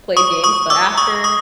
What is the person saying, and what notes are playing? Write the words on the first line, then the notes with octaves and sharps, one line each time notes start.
played games, but after
C#6 D#6
C#6 D#6
D6 E6
C#6 D#6
C#6 D#6